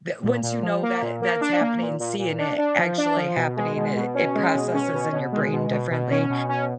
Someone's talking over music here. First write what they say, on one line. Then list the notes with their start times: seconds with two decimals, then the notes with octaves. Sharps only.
the once you know that that's happening, seeing it actually happening, it it processes in your brain differently.
0.24 A#2
0.43 A#2
0.62 F3
0.83 A#3
1.02 A#2
1.22 A#3
1.41 D4
1.61 A#3
1.81 A#2
2.00 A#2
2.19 A#2
2.39 D4
2.58 D4
2.78 F3
2.98 D4
3.16 F3
3.36 B2
3.57 G#3
3.76 B2
3.96 B2
4.15 C#4
4.35 G#3
4.54 B2
4.74 C#4
4.94 B2
5.12 B2
5.32 G#3
5.52 B2
5.71 B2
5.91 B2
6.10 C#4
6.30 B2
6.49 C#4